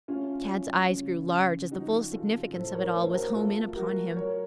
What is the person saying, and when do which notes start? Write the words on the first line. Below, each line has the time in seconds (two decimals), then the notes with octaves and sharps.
Tad's eyes grew large as the full significance of it all was home in upon him.
0.08 A3 C#4 F4
0.49 F#3
0.90 C#3
1.31 C#3
1.71 F3 D#4 F#4
2.12 C3 F4 A4
2.53 A2 A4 C5
2.73 A#4 C#5
2.94 A3 A4 C5
3.14 F#4 A#4
3.34 A3 F4 A4
3.75 F#3 F#4 A#4
4.16 F#3 A#4 C#5